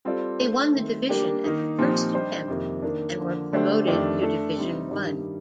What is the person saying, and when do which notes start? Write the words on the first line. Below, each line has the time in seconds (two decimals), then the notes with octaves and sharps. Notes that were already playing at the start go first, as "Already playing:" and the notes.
They won the division at the first attempt, and were promoted to Division One.
0.05 G3 C4 F4 A4 D5
0.40 A3 D4 A4 C5
0.74 D#3 A3 C4
1.09 G3 A#3 D4 G4
1.44 D#3 A#3 D#4
1.78 A#2 F3 C4 D#4 G4
2.14 G3 D4 G4 C5 D#5
2.48 F2 C3 D#3 A#3
2.82 D#3 A#3 D4
3.18 D3 F3 A#3
3.52 D3 A3 D4 G4 C5
3.87 F2 D#3 A3 D4 G4
4.21 A3 D4 A4
4.56 C3 G3 C4 D#4
4.91 G2 D#3 G3